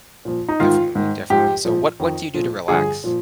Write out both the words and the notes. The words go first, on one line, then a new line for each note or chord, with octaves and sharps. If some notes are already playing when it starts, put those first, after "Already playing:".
Definitely, definitely. So what what do you do to relax?
A#2 F3
D#4
G#2 D#3 F4
G#2 D#3
G#2 F3 G4
A#2 F3
F2 D#3
A#2 F3
G2 D3 F3 G#4
A#2 F3